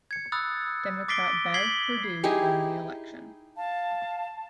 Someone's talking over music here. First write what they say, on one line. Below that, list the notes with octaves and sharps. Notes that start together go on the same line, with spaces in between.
Democrat Bev Perdue won the election.
G#6 C#7
B5 D#6 E6 F#6 A6
D6 A6 B6 C7 D7 G7
G#6 B6 C7 F#7 G7
D#4 E4 G4 G#4
F5 A5